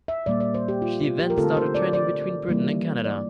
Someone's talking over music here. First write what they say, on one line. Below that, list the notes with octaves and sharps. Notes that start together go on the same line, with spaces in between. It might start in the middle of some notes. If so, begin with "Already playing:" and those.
She then started trading between Britain and Canada.
E5
A#2 G3 A#3 D5
D5
C5
G4
F4
F4
G4
A#4
D3 A3 C4 F4 A4
C5
D5
D5
E3 G3 A#3 E4
D5